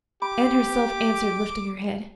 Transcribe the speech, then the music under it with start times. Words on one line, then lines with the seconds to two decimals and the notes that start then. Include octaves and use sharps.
Anne herself answered, lifting her head.
0.22 G4 B5 D6